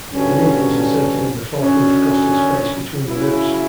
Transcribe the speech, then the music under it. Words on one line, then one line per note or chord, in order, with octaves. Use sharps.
The needle is inserted in the fourth intercostal space between the ribs.
G2 D3 F#3 C#4
F#2 D3 F#3 C#4
C#3 F#3 C#4 E4